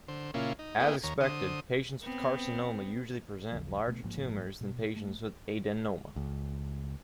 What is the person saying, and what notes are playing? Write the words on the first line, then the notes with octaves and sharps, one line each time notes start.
As expected, patients with carcinoma usually present larger tumors than patients with adenoma.
D3 C5
A#2 C#3 A#3 C#4 E4 F4
D#4
A#3 B3 E4 G#4 D#5 G5
D#2 C#5 A#5
D3 C5 D#6
B3 C4
A1 D#2 C#3 F3
B2 A3 B3
A1 G#2 F3 A#3
B2
A3
C#2